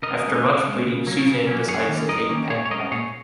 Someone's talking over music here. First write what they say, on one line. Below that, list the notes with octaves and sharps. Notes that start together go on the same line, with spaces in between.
After much pleading, Susan decides to take Pat back.
C#3 A#4 D#5
G#3 C#4
C#3
G#3 C#4
C#3
F#3 A#3 C#4
C#3
F#3 A#3 C#4
F#2 G#4 C#5
D#3 A#3 C#4
F#2 A#4 D#5
D#3 A#3 C#4
A#2 G#4 C#5
C#5
G#3 C#4 A#4 D#5
A#2 G#4 C#5